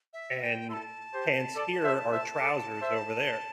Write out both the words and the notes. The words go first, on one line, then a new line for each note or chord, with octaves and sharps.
And pants here are trousers over there.
E5
G5
E4 A4 A5 C6
G4 C5
A4 D5
C5 E5
C5 E5
A4 D5
C5 E5